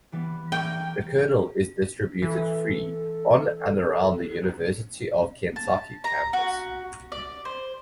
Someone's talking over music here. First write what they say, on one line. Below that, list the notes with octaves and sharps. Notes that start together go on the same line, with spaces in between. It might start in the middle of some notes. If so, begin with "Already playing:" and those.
The "Kernel" is distributed free on and around the University of Kentucky campus.
E3 G3 B3
A#4 G5 C#6
E3 A4
A5
A#5
F#4
D5
C5